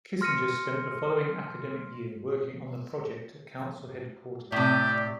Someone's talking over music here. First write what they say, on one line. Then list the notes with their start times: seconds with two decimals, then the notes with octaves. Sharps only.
Kissinger spent the following academic year working on the project at Council headquarters.
0.21 C6 F6 A#6 C#7 D#7
4.52 A2 C3 G4 D5